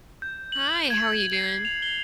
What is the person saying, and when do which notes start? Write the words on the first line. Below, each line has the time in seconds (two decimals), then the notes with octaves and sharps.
Hi, how are you doing?
0.22 G6
0.52 F#7
0.90 G#6
1.33 C7
1.65 F7
1.82 G7